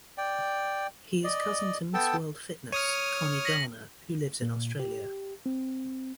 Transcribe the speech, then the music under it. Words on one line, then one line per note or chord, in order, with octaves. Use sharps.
He is cousin to Miss World Fitness - Connie Garner who lives in Australia.
D5 G5
D5 D#5
B3 A4 G5 A5
C#5 D#6 F6 C#7 D#7
A#6 B6 F#7
A#2
G4
C4